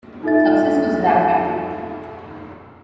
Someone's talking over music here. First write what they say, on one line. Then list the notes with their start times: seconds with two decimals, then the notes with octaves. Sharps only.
Success was rapid.
0.23 D#4 F4 A4 E5 A6